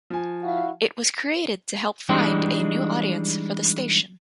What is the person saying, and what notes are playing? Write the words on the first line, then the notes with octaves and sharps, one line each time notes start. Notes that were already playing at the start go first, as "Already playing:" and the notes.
It was created to help find a new audience for the station.
F3 G#5
E4 F#4 F5
E3 G3 G#3 D4 D#4